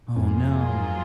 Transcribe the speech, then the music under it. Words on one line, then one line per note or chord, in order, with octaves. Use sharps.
Oh no.
F2 G#2 F#3 A#3 F4 G#4